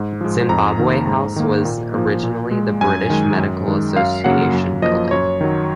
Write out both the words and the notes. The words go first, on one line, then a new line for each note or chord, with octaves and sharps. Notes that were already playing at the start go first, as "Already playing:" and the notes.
Zimbabwe House was originally the British Medical Association Building.
Already playing: G#2
F3 G#3
F2 A#5
D#3 A#3
G#2
D#3 A#3
A#2
F3 A#3
A#2
G#3
F#2 G#5
D#3 G#3
F#2
D#3 G#3
F#2 F5
C#3 F#3 A#3 F#5
F#2
F3 A#3 D#5
F#2 C#5
D#3 F#3